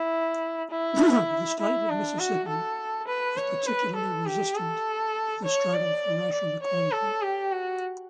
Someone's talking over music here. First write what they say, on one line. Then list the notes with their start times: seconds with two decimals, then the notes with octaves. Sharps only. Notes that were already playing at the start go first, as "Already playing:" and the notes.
The state of Mississippi was particularly resistant to the struggle for racial equality.
Already playing: E4
0.71 E4
1.60 E4
1.90 D4
2.19 F#4
2.48 A4
3.08 B4
3.37 C#5
3.67 B4
3.96 A4
4.26 G4
4.56 A4
5.45 C#5
5.74 D5
6.33 D5
6.63 C#5
6.92 A4
7.22 G4
7.52 F#4